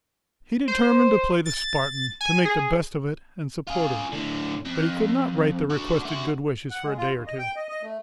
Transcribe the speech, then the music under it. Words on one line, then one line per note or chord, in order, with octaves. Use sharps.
He determined to play the Spartan; to make the best of it, and support her; but he could not write the requested good wishes for a day or two.
C5
A6
G#5
G#4
F4 G#4
A2 D3
F2
D4 F#4
A3 F#4
F#5
G#3
F4
D#2
D#5
G5
D#5
D#5
A3